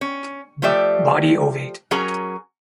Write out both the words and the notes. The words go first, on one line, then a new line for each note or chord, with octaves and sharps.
Body ovate.
C#4
F3 A3 G4 D5 E5
F#3 C#4 G#4 A#4 G#5 A#5